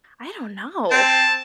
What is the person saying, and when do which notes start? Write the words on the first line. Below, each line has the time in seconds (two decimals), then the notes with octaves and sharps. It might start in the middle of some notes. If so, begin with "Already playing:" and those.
I don't know,
0.91 C4 A5